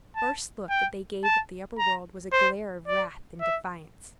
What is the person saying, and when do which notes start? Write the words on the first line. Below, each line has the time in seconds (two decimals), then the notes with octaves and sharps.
The first look that they gave at the upper world was a glare of wrath and defiance.
0.16 A5
0.70 G5
1.24 A5
1.78 A#5
2.32 C5
2.87 D5
3.41 E5